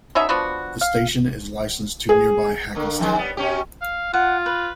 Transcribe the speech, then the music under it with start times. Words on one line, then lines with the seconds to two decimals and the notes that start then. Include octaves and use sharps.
The station is licensed to nearby Hackettstown.
0.15 B2 C#4 D#4 E5
0.29 F3 B3 D4 F#4
0.81 F5
2.09 G#4
2.75 D3 A#3
2.99 F2 D#3 G#3
3.17 G3 B3
3.37 B2 C#4 G4
3.82 F5
4.13 F4 F#5
4.46 B4